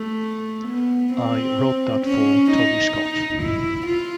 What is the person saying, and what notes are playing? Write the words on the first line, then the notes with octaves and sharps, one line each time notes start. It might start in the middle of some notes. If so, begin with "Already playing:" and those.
I wrote that for Tony Scott.
Already playing: A3
B3
C4
C#4
D#4
E4
F4